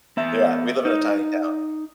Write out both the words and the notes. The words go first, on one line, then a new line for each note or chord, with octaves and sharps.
yeah, we live in a tiny town.
B3 E5
D#4